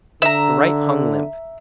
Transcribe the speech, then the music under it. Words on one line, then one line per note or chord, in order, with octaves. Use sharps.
The right hung limp.
D3 E5 A#5